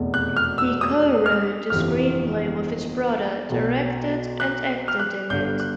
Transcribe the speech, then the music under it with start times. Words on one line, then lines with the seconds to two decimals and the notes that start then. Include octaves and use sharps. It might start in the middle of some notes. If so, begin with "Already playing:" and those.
He co-wrote the screenplay with his brother, directed and acted in it.
Already playing: F1 E2 B2
0.14 F#6
0.37 F6
0.58 E6
0.81 D#6
1.26 F6
1.70 G1 F2 C3 E3 F6
3.50 B1 B2
4.40 F#6
4.88 F6
5.00 F#6
5.30 G1 G2 D3 G6
5.60 F#6